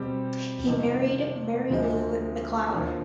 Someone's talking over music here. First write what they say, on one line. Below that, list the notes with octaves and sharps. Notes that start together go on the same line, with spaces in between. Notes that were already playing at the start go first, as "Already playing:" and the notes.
He married Mary Lou MacLeod.
Already playing: B2 G3 C4 G4
F2 C3 D#3 G3
D2 D3 F3 G#3
D#2 D3 F3